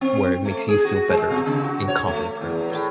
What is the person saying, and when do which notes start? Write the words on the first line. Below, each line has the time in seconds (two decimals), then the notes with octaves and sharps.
where it makes you feel better and confident perhaps.
0.01 C4
0.45 A3
0.68 G#4
0.85 F#4
1.10 G#3
1.30 B2
1.46 C#3
1.64 F#4
1.88 C#5
2.07 A3
2.41 E2
2.70 A2